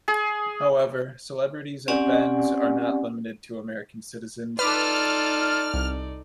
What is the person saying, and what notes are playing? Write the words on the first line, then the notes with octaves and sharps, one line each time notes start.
However, celebrities at Ben's are not limited to American citizens.
G#4
C4 C#4 G4 D5 F#5 G#5
D#4 F4 A4 B4 D5 D6 F6
C2